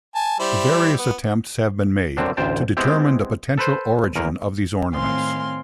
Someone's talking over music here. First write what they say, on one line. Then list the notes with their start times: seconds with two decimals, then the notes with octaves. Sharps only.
Various attempts have been made to determine the potential origin of these ornaments.
0.15 G#5 A5
0.40 G3 E4 C5
0.99 B3
2.17 F#2 D3 C4 D4
2.37 A1 D2 C5 G5 A5
2.77 G#3 B3 C4 E4 G4
3.58 A4 B4 C5
4.16 E2 A#4
4.93 A2 D#3 C4 F5 G#5 C6